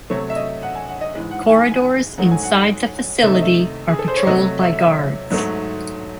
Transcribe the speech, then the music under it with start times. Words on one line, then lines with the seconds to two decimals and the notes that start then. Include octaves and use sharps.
Corridors inside the facility are patrolled by guards.
0.10 C3 F#3 A3 C#5
0.30 E5
0.36 D#5
0.63 F#5
0.75 G#5
0.88 F#5
1.01 D#5
1.15 G#2 E3 G#3
1.31 F#5
1.49 G#5
1.71 G#5
2.18 G#2 F#3 A3 F#5
2.31 G#5
2.44 F#5
3.22 C3 D#3 A3 E5
3.33 D#5
3.43 E5
3.89 G#4
3.99 A4
4.08 C5
4.17 C#5
4.26 C3 F#3 A3 D#5
4.61 E5
4.79 E5
5.30 G#2 F#3 A3